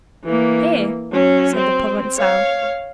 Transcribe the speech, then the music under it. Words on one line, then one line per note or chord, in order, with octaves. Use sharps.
"Here," said the Provencal.
E3 A#3
F#3 C#4
C4
C#5 F5